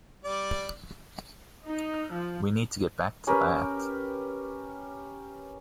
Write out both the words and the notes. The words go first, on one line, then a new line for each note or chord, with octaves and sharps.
We need to get back to that.
G3 D5
D#4
F3
C#4 G4 A#4 B4